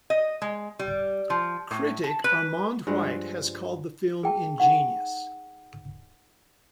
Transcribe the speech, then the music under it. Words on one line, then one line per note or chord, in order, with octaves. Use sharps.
Critic Armond White has called the film ingenious.
D#5
G#3
G3
F3
A2
A5
B4
G2 F3 G#3 F#5
G#4 G5 A5
D#4 F#5 C#6